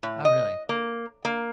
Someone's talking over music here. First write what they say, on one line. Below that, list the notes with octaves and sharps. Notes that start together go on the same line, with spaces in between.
Oh, really?
A2
D#5
A#3
A#3